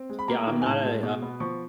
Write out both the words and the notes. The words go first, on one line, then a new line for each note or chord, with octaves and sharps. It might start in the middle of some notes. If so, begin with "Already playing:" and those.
Yeah, I'm not a
Already playing: C4
G#3
B5
A#3 A#5
D#3
G#5
A2 A5
G#3
B2
B3
F3 C#6